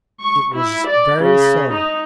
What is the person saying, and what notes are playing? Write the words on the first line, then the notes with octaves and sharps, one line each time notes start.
It was very so.
C#6
E4
D5
C#3
D#4